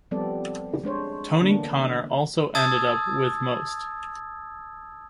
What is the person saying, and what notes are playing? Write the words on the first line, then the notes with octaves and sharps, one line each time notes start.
Tony Connor also ended up with Most.
F3 G3 B3 C4 A4 D5
G#3 D4 C5 C#5
D3 E3 A#3 B3 D4
A5 D#6 E6 G#6 A6